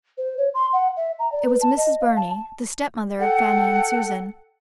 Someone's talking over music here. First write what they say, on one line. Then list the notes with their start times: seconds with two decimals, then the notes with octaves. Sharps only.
It was Mrs. Burney, the stepmother of Fanny and Susan.
0.17 C5
0.37 C#5
0.54 C6
0.72 F#5
0.96 E5
1.19 A#5
1.32 D5
1.45 B4
1.61 A5
1.77 D#5
2.00 F5
2.16 A5
3.19 A4 F#5 G5